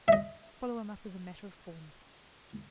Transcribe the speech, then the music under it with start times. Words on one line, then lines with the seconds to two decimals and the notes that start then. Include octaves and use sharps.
Follow him up as a matter of form.
0.08 D#5 E5